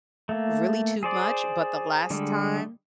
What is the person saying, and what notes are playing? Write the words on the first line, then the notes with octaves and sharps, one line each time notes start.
really too much, but the last time
A3 A#3
G#4 C5 D5
D3 G3 G#3